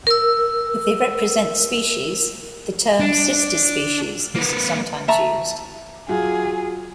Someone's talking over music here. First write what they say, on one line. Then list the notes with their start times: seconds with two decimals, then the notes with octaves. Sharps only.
If they represent species, the term "sister species" is sometimes used.
0.07 A#4 E6
3.00 D4
4.35 A#3 B4
5.08 E5 A5 A#5 C#6
6.08 F#3 F4 G#4